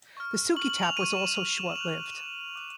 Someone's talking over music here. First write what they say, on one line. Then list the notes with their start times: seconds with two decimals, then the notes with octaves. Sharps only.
The Sugi Tap was also short lived.
0.17 C#6 F6
0.57 C#6 F6 F#7
0.70 F#7
0.83 F7
0.96 C#6 F6 D#7
1.17 E7
1.36 C#6 F6
1.72 F#7
1.76 D6 F#6 F7
2.16 D6 F#6
2.56 D6 F#6